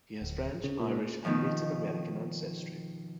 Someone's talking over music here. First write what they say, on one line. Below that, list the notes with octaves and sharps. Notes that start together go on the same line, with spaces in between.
He has French, Irish, and Native American ancestry.
D1
C#3
A#2
B2 D#3 F3